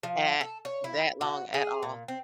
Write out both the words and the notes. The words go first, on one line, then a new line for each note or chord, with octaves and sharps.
At that long at all.
F3
A4
C#5
E4
F#4
G#4
A#2
C4